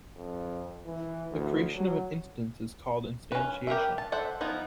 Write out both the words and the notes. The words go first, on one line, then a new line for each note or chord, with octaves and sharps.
The creation of an instance is called instantiation.
F2
E3
D2
F#3
C#4 B4
G4 A#4 B4 E5
A5
A4 C5 E5 F#5
F3 B3 D#4 E4